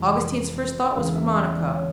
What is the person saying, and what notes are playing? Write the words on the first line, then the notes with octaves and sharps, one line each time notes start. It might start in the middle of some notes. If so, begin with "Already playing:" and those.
Augustine's first thought was for Monica.
Already playing: F2 C3 E3 G#3 C4
E2 C#3 E3 G#3 C4 F5
E5
E5
D5
C#5